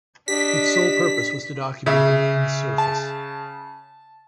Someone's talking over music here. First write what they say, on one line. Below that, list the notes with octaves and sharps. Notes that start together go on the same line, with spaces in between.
Its sole purpose was to document the Moon's surface.
D4 G4 D#5 B6
C#3 E5
A5